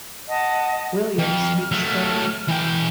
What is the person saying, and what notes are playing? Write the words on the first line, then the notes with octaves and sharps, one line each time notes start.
Williams speaks Spanish.
D#5 F#5 A5
F2 F6
F#3 A3
E3 G5